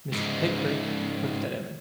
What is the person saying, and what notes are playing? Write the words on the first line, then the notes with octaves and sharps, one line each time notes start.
Mr. Pickwick looked at him.
C#2 G#2